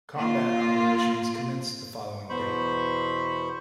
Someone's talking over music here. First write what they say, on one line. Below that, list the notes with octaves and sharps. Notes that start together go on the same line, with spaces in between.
Combat operations commenced the following day.
A#3 F4
E2 B2 C5 B5 C#6